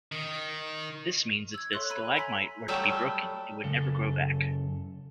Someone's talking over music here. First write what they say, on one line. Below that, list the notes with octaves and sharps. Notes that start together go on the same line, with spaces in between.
This means if the stalagmite were to be broken it would never grow back.
D#3
E6 G#6
A4 C#5 E5 C6 C#6 F#6
A#5 B5 E6 F#6 D#7
G#5 A#5 C6 G#6 B6 F#7
F#3 G3 A3 E5
F#2 C#3 A4